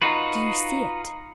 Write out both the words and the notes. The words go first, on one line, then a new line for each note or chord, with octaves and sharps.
"Do you see it?"
D#4 F4 F#4 B4